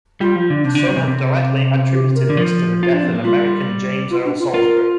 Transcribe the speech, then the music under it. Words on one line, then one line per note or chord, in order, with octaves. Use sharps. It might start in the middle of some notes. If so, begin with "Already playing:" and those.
Some have directly attributed this to the death of American James Earl Salisbury.
G3 F4
F3
D3
C3 D4
D3
C3
C3
C3
G4
A#4
D3
F3
F4
D4
C4
A#3
G3 F4
F4
D4
F4
F4 A#4